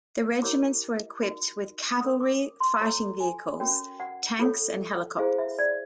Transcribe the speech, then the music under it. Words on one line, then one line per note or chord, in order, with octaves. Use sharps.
The regiments were equipped with Cavalry Fighting Vehicles, tanks and helicopters.
E4 G4 A#4 C#5 D6
D#4 F#4 A#4
C#4 F4 A#4 C#5 D#6
D6
C6
F4 A4 C#5 A#5
G#5
C#4 F#4 A#4 C#5 G5
F#5
F4 A4 C#5
E4 G#4 C5 F5
E5
D5